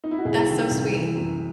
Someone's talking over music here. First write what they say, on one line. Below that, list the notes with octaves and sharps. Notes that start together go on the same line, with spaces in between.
That's so sweet.
D#4
E4
F#4
C2 E4 G#4
D#3
C2
E3
F#2